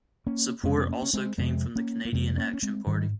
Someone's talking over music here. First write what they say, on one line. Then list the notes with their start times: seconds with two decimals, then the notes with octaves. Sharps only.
Support also came from the Canadian Action Party.
0.27 A#3 C#4
0.63 F2 C3 G#3 C4
0.78 C4
0.88 A#3 C#4
1.02 C#4
1.13 G#3 C4
1.38 F2 C3 G#3 C4
1.76 A#3 C#4
2.05 A#3
2.13 F2 C3 G#3 C4
2.38 A#3 C#4
2.53 C#4
2.62 G#3 C4
2.87 G#2 D#3 G3